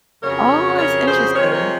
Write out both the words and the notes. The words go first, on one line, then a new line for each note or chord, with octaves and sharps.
Oh, that's interesting.
F2 C#3 F#3 A#4 C#5
A#4 C#5
G#4 C5
C3 F3 G#3 A#4 C#5
A#4 C#5